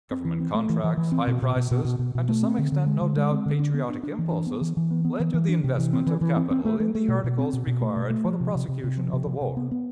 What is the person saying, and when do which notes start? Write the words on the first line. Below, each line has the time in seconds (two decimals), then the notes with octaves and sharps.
Government contracts, high prices, and to some extent, no doubt, patriotic impulses, led to the investment of capital in the articles required for the prosecution of the war.
0.11 C4
0.25 E3
0.40 C4
0.55 A3
0.69 E3
0.84 E3
0.97 E3
1.12 C4
1.27 B2
1.42 B2
1.56 B2
1.71 B2
1.85 B2
1.99 B2
2.15 B2
2.29 A3
2.43 C4
2.58 D3
2.72 D3
2.86 G#3
3.01 D3
3.17 G#3
3.31 C4
3.46 D3
3.59 D4
3.74 B3
3.89 D4
4.03 D4
4.19 E3
4.32 D4
4.47 B3
4.61 E3
4.77 E3
4.91 B3
5.05 B3
5.20 E3
5.34 E3
5.49 D4
5.64 C3
5.78 E3
5.93 C4
6.06 E3
6.21 E3
6.36 C4
6.51 C4
6.65 A3
6.80 A3
6.95 A3
7.08 B2
7.24 B2
7.38 C4
7.53 B2
7.67 B2
7.82 A3
7.96 B2
8.10 A3
8.25 F3
8.40 C3
8.55 C3
8.68 C3
8.84 C3
8.97 F3
9.13 C3
9.27 C3
9.41 C3
9.57 B3
9.71 B3